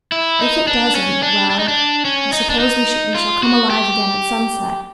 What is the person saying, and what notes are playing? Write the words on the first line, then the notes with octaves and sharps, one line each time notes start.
If it doesn't - well, I suppose we shall come alive again at sunset.
E4
D#4
D4
C#4
D4
D4
D#4
D4
C#4
D#4
D4
D#4
F4
F#4
G4